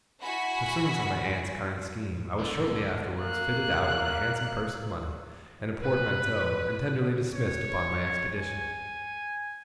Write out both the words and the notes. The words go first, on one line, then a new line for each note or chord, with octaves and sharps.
In pursuance of my aunt's kind scheme, I was shortly afterwards fitted out with a handsome purse of money, and a portmanteau, and tenderly dismissed upon my expedition.
E4 F#4 F#5 G#5 B5 B6
B1 G#2 D3 A4
A#3 F#6
B4
C#5
G#5